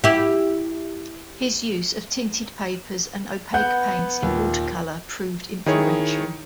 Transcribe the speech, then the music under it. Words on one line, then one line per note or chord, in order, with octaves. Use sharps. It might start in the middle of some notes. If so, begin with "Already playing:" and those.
His use of tinted papers and opaque paints in watercolour proved influential.
E4 G4
B3 F#5 G6
D#2 A#2
D#3 E4 G#4 C#5